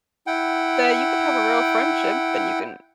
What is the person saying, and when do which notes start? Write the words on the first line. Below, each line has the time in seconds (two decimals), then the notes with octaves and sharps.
that you could have a real friendship and you can
0.27 E4 F#5 G5